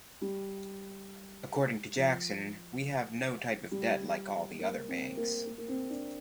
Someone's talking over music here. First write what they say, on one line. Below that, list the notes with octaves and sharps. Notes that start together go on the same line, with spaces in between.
According to Jackson: we have no type of debt, like all the other banks.
G3
F3
G3
A#3
C4
A#3
A#3
A#3
C4
D4